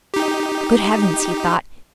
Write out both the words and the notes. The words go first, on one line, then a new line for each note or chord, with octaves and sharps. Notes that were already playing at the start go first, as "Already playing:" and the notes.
"Good heavens!" he thought.
D#4 G4